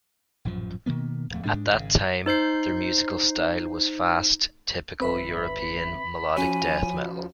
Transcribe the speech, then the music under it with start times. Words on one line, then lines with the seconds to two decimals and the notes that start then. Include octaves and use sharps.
At that time, their musical style was fast, typical European melodic death metal.
0.45 A1 F#2 A#2 F3
0.86 B2 D#3 A#3 B3
1.30 D1 F2 A3
1.45 G#2 G#3 D4
1.72 G#1 C#3
2.26 D#4 C5 G6 C7
5.00 G1 C4 B4 E5 B5
6.37 F3 C#4 F#4 C#5 G#5